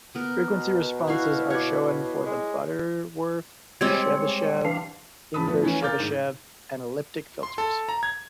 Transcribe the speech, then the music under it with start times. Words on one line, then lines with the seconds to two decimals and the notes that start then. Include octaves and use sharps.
Frequency responses are shown for the Butterworth, Chebyshev, inverse Chebyshev, and elliptic filters.
0.15 B3 A#4
0.50 B2
1.07 E4 F#4 F5
1.50 C#5 D5
2.26 G#3
3.81 G3 G#3 C4 C#5
4.65 E3 D4 F5
5.34 G#2 C#3 A5 B5 D#6
5.47 F3 A3 B3
5.63 E3 C#4
5.81 A#4 F5 D6 F6 G6 A6
6.00 G#2 D#3
7.43 C6
7.58 A4
7.89 A#5
8.03 G#6